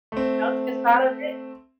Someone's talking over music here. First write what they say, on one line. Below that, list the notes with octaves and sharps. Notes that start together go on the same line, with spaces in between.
melted inside of it.
A3 C4